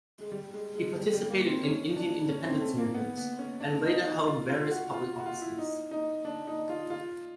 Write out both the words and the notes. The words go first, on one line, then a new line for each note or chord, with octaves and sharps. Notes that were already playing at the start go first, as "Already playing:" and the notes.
He participated in Indian independence movement and later hold various public offices.
G#3
G3
G#3
G#3
G3
G3
A#3
C4
C#4
D4
C#4
C4
A3
A#3
B3
B3
C#4
D4
D#4
D#4
F4
F4
F#4
F4
F#4
F4
E4
D#4
D#4
D4
D#4
F4
F4